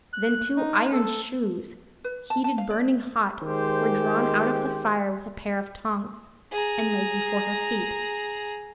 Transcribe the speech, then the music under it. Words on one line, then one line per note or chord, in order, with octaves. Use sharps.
Then two iron shoes, heated burning hot, were drawn out of the fire with a pair of tongs, and laid before her feet.
F#6
D#4
A4
B4
A5
A5
F5
D5
D#3 G#3 G4 C5
G#4 A#5